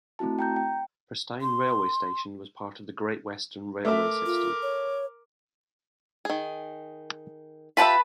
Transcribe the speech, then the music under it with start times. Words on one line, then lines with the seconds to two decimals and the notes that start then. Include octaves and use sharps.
Presteign railway station was part of the Great Western Railway system.
0.19 A3 C4 E4 F#4 A5
0.39 G5 A#5 G6
0.56 G5
1.42 C6
3.85 A3 A#4 E5 D6
4.26 F4
4.62 C#5
6.25 D#3 G#4
7.77 F4 G4 B4 E5 A5 B5